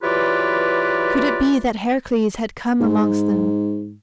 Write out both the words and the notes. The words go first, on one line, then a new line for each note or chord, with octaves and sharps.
Could it be that Heracles had come amongst them?
E3 F#3 F4 G4 B4 D5
G#2